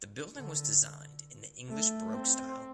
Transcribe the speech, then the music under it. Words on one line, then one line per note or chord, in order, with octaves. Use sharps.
The building was designed in the English Baroque style.
D3
A3
C4